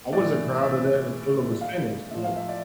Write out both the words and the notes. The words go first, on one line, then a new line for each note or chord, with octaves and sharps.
I wasn't proud of that until it was finished, like
A2 E3 D5
E5
F5
A2 F3 E5
F5
E5
D5